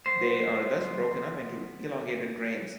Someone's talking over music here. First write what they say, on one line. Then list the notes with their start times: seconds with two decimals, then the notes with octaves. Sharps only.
They are thus broken up into elongated grains.
0.06 B3 C5